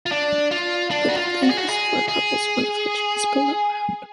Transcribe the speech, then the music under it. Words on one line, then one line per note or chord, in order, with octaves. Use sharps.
The building has four levels, one of which is below ground.
F4
D4
F4
D4
F#4
F4
F#4
G#4
F#4
G#4
G#4